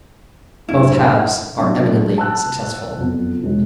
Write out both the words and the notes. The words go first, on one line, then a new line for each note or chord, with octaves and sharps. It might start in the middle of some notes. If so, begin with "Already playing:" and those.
Both halves are eminently successful.
F#1 A2 D4 E4
F#3 D4
A5 E6 F#6
F#1 F2 B3
E1 G#2